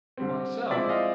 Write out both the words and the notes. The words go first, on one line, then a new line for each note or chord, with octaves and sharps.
"Why so?"
D3 G3 C4
F3 G#3 C4 E4 D5 E5
D#5 F5